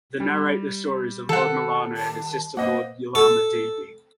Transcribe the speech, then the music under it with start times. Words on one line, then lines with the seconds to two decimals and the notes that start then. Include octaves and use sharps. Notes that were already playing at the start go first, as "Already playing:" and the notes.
The narrate the stories of Lord Mallana and his sister Lord Yellama Devi.
0.20 G3
1.29 D#3 A4 F#5
1.97 A5
2.57 A#3 B4 C5 D#5 F#5
3.15 A4